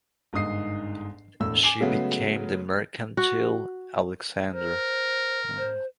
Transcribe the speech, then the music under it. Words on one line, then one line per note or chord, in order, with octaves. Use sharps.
She became the mercantile "Alexander".
G1 G#2 D#4 D#6 C7
E1 A2 E6
G#5 D6 C7 D7 E7
C#3 F#3 G#3 A3 B3
F#4
A#4 C5
C5